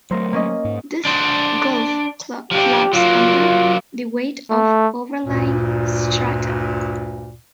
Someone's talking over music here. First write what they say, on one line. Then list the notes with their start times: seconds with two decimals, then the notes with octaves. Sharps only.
This goaf collapses under the weight of the overlying strata.
0.11 F#3 A3 A#4 C5
0.33 A#3 C#4 D#5
0.65 G#2
1.05 D4 C5
2.51 F3 D4 G4
2.93 F#3 A#3 F4
4.50 A3
5.26 D2 G2 A#2